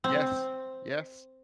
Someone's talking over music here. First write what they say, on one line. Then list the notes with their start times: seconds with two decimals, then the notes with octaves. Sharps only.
Yes. Yes.
0.04 C4